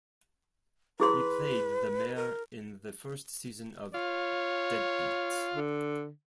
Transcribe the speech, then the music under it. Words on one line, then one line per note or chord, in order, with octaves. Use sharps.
He played the mayor in the first season of "Deadbeat".
E4 G#4 B4 C6
A#4
F4 C#5
D3